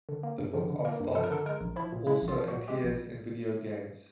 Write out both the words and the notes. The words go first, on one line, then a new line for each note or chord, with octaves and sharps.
The "Book of Thoth" also appears in video games.
D3
A#3
G2
F3
D3
A#3 A#4
G2
F3 A4
A#4
D3 A4
G#3 A#4
A#1
F3 E4
A#2
G#3 E4
A#1
F4
F3
A#2 F#4
G#3 G4
A#1